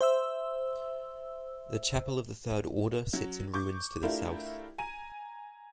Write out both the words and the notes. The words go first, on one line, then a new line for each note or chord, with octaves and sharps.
The chapel of the Third Order sits in ruins to the south.
C5 E5 E6
F#3 C#4
C#6 D6 G6
A3 D4 E4 F4 G4 A#4
G#5 A#5 D#7